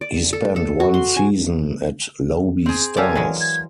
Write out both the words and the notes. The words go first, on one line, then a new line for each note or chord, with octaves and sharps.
He spent one season at Lobi Stars.
D5
A4
A4
F#4
C6
G#5
C4 G#4
G4 A4 A#4 C#5 D5 F5 G#5
E3 F#3 G#3
G#6